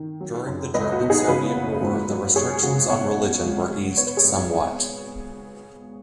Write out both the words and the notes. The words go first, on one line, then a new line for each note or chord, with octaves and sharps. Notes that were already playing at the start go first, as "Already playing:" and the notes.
During the German-Soviet War, the restrictions on religion were eased somewhat.
Already playing: D#3
F#3
F#2
C#2 B4 D#5
F#4
B2
D#4 G#4
C#3 F#4 B4
F#1
G#2
F#3
F#2 G#4 C#5
C#3 F#4
B2 C#5 F#5
B1
G#3
G#3
B3 C#5
B4
G#4 C#5
G#1